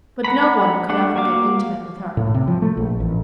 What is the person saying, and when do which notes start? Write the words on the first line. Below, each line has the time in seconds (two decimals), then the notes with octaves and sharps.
But no one could ever get intimate with her.
0.24 F#5 A#5 B5
0.89 A3 D4 F#5
1.15 A#3 F#4 F5 D6
2.17 A2
2.34 C3
2.47 F3
2.62 A3
2.77 A#1
3.00 A1